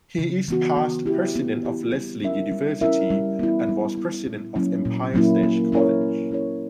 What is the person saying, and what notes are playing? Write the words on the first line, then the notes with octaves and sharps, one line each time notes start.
He is past president of Lesley University and was president of Empire State College.
C#3
E3 B3 F#4
B3
E4 G4
B3
E4 G4
G3
C#4 E4 A#4 E5
G3
C#4 E4 A#4 E5
G3
B3 E4
G3
B3 E4
A#2
F#3 A#3 C#4 E4
A#2
F#3 A#3 C#4 E4
A#3
C#4 E4 A#4 C#5
A#3
C#4 E4 A#4 C#5